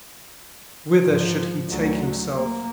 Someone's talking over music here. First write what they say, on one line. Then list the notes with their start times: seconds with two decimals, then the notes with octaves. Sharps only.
Whither should he take himself?
1.03 G#2 F3
1.69 D2 F#3
2.35 A#3